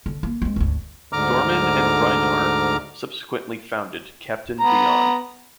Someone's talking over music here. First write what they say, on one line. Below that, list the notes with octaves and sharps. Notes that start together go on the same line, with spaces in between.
Dorman and Reinhardt subsequently founded Captain Beyond.
D3
A#3
G#3 C4
G#1 D2
D2 G#2 D3 A#5 D6 F6
B3 A#5